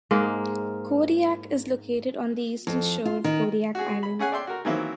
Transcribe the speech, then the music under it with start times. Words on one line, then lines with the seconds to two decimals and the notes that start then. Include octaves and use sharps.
Kodiak is located on the eastern shore of Kodiak Island.
0.11 G#2 G#3 A#3
2.67 F2
3.05 F4
3.24 D#3
3.75 F#4 G#4
4.03 B5
4.19 C#4 G#4 F#5 G#5
4.32 D5 E5 G5 C6
4.47 F#4 A#4
4.65 D#3 E3 F#3 A#3 C4 E4